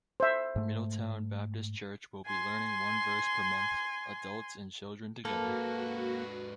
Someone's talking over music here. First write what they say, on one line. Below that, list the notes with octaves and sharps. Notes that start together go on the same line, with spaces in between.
Middletown Baptist Church will be learning one verse per month, adults and children together.
C5 E5
G#2 A3
G#5 C6
G#2 A#3 F#4 A4 B4